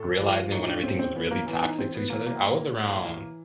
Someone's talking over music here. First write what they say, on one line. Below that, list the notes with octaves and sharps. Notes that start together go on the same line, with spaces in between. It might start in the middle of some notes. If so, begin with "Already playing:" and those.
Realizing when everything was really toxic to each other? I was around
Already playing: A2 A4
F3
A2 D#4
D4
A2 C4
C4
E3 B3
A#3
E3 B3
D#4
E3 C4
B3
E3 A#3
A#3
A2
A2
E3